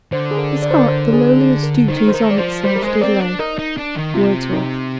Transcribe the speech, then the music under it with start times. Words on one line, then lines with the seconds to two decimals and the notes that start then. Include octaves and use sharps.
"His heart The lowliest duties on itself did lay." --WORDSWORTH.
0.12 D3 C5
0.31 G#4
0.37 A#4
0.62 D5
0.71 C5
0.78 A#4 D5
0.88 C5
1.13 G#4
1.38 G#4
1.63 A#4
1.88 D#3 C5
2.08 C5
2.14 D#3 A#4
2.31 D5
2.38 F3 C5
2.64 G3 C5
2.76 A#4
2.82 G#3 C5
3.01 C4 A#4 D5
3.20 D4
3.39 D#4 A#4
3.59 D#4
3.77 D4
3.96 D#3
4.14 C3 F4
4.53 D#4